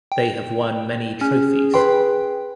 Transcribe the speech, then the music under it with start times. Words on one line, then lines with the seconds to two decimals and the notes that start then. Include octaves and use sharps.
They have won many trophies.
0.12 G5
1.21 C#4 G#4
1.74 B4 G5 C6